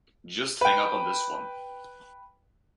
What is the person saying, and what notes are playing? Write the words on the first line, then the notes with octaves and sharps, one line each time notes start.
Just hang up on this one.
B4 G5